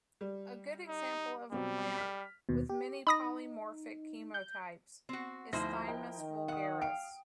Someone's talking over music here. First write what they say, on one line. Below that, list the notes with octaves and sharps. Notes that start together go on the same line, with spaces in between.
A good example of a plant with many polymorphic chemotypes is "Thymus vulgaris".
G3
D#4
B2 F#3 G3 C4
F6 B6
D#2 B2
G4
D#4 B5 D#6 A#6
G6
C4 F#4
D2 F3 D#4 E4 C5 A#6
A#4 D#5 G5
D#3
F5 F#5 D#6
F5 G5 D7